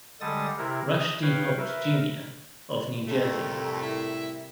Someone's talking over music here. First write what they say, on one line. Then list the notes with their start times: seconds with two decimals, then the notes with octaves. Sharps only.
Rush D. Holt, Junior of New Jersey.
0.21 D3 G3 G#3 A4 D#6 A6
0.58 C3 E4 A#4
0.91 D#6
1.22 B4 C#5 F5 G5
1.58 A#4 B4 E5
3.07 F2 A2 C3 G3 A3 A#4
3.82 E4